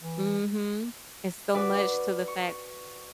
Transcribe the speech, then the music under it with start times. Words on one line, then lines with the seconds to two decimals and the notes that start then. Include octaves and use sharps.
Mhm. It's so much to the fact
0.01 E3
1.54 F#4 B4 D5 E6
2.28 C#6